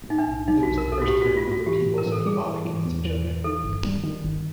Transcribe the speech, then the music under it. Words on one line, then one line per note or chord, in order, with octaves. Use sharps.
It was the first time that their peoples had fought against each other.
A2 D#4
D4
B1
F#3 D#4
F#4
B1
A#4
B1 A4
F#4
A2 G4
F#4
A2
F4
A3 F#4
E3 G4
A2
A#4
E3
A4
G3 G#4
E3
E3
E2
E3
E3
D#3 A4
G1
G3
D#3
G1